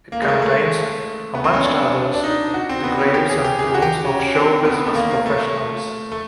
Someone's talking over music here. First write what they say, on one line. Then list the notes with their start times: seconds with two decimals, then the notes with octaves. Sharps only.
It contains-amongst others-the graves and tombs of showbusiness professionals.
0.12 A#3
0.22 G#3
0.28 A3
0.42 A3
1.35 B3
1.44 C4
1.53 C#4
1.64 D4
2.14 D4
2.24 D#4
2.54 F#4
2.69 C4
2.84 B3
2.99 C#4
3.14 G4
3.30 G#4
3.44 G4
3.59 G#4
3.68 G4
3.74 F#4
3.82 G4
4.05 C#4
4.20 C#4
4.35 C4
4.65 B3
4.86 A3
4.95 A#3
5.11 A#3
5.26 A3
6.12 A3